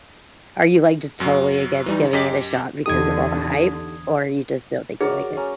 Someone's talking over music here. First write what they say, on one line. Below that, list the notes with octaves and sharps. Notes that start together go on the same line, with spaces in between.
Are you, like, just totally against giving it a shot because of all the hype, or you just don't think you'll like it?
F#2 F#3
E3 G3 D#4
F#2 G4 D#5 D6 B6
E2 D3 D#4 G4 A4 D#6 G#6
F#3 G#4 A#4 D5
C#4 A#5